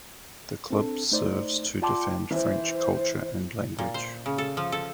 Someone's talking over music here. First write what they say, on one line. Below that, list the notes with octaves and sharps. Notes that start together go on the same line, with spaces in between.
The club serves to defend French culture and language.
C4 D4 A4
A3 D#4 C5 D5
F4 D5 G5 A5 C6 D6
E3 E4 C5
A#2
C5
C#3
A4
F3
A4